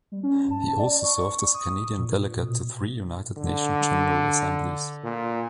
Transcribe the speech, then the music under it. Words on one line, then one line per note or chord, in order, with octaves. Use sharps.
He also served as a Canadian delegate to three United Nations General Assemblies.
G3
C#4
A5
D5
C#6
D#6
A#2
B2
D3
A#2